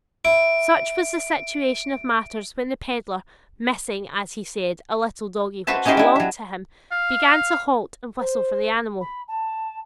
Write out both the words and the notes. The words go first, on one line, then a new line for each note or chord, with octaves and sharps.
Such was the situation of matters when the pedlar, missing, as he said, a little doggie which belonged to him, began to halt and whistle for the animal.
E4 D7
F#4 B4 C5 E5 A5
C#4 D#4 E4 G4 D#5 C6
D4 E4
F#3 E5
F5
C5
B5
A5